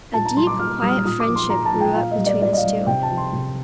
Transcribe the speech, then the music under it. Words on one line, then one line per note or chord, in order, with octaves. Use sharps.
A deep, quiet friendship grew up between us two.
A#2 A5
A#5
G3 C6
D6
A#2 F6
G3 D#6
F6
A#2 D#6
D6
F3
C6
A#2 A#5
A5
F3
G5
A#2 F5
D#5
G3
D5
A#2 D5
D#5
F5
G3
C3 G5
A5
F3
C6
C3